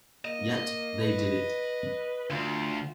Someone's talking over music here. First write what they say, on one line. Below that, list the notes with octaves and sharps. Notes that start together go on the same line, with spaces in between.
Yet, they did it.
A#3 D#5
B4
D2 F4